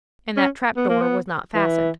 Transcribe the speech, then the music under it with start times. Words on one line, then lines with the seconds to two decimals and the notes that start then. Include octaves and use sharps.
And that trap-door was not fastened.
0.37 C#4
0.77 B3
0.90 A#3
1.02 B3
1.55 E3